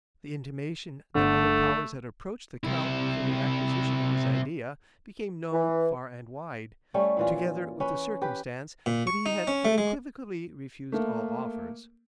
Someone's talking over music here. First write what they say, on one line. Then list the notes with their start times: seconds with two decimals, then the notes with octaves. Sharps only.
The intimation that other Powers had approached the Count for the acquisition of his idea became known far and wide, together with the circumstance that he had unequivocally refused all offers.
1.15 G1 D3 A3
2.64 C3 E4
5.53 E3
6.94 G3 A3 C#4
7.17 A#2 E3 F4
7.80 C#4 B4
8.22 G4 B4
8.86 A#2
9.07 C#6
9.26 D#4
9.47 C#4
9.65 A3
9.78 G#3
10.92 A3 A#3